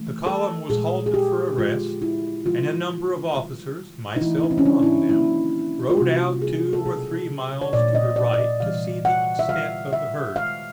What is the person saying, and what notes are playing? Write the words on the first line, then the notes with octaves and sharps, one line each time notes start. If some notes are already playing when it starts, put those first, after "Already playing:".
The column was halted for a rest, and a number of officers, myself among them, rode out two or three miles to the right to see the extent of the herd.
Already playing: E3 A3
A4
A#2 F3 G#3 G#4
G#4
G4
D3 F3 G#3 B3 F4
E4
D3 F3 G#3 B3 F4
D#3 G3 B3
D#4
E3 A3 E4
E4
D#4
C4
C#4
D4
E4
D#4
D#3 F#3 A#3 E4
F4
C3 D#3 G3 A#3 F#4
G#4
A4
B2 F#3 B3 G#4
C#5
A#2 F3 A3 D5
D#5
D5
D5
D#5
C3 E3 G3 B3 F5
F#5
E5
D3 G3 B3 F5
E5
D#3 G#3 B3 F5